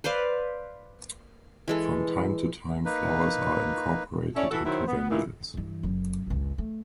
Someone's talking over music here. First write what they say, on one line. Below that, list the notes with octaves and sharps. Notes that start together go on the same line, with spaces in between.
From time to time, flowers are incorporated into their meals.
B4 C5 D5 F5
E3 G#3 A4
A#3 D#4 B4
C#4 E4 A4 C#5 D5
E3 F#4 A4
D#3 F#3 E4 C5
B3
G2 A#2 D#3 E4
G2 E3
F#1 F#2
G1 C#2
A3